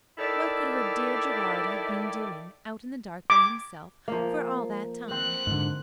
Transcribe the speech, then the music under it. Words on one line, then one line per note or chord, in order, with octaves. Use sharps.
What could her dear Gerard have been doing, out in the dark by himself, for all that time?
D#3 E4 A4 D5
D6
F3 A#3
C4 F#6
G#2 D3